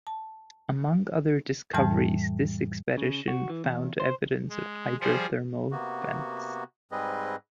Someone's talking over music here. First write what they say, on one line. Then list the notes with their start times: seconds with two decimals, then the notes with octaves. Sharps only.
Among other discoveries, this expedition found evidence of hydrothermal vents.
0.07 A5
1.73 F2 A2 E3 G3 A5 F6
2.98 C#3
3.28 F#4
3.50 E3
3.64 E2
4.00 C5
4.50 G#3
5.01 F3 G3 G#4 C5
5.71 C3 A#3 B3 F#4
6.92 G#2 G3 C4 G#4 B4 D#5